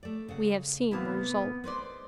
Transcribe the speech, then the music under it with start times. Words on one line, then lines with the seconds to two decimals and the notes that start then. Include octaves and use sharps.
We have seen the result.
0.03 A3 D5
0.28 C#3 F#5
0.91 A2 C3 E3 A#3 B3 E4 A5
1.64 G#3 B4 C5 D5